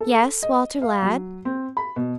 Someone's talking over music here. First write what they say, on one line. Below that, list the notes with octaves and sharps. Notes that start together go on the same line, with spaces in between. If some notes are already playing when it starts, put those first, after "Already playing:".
"Yes, Walter, lad?"
A4
D#5
F5
F#3
C4
B5
B2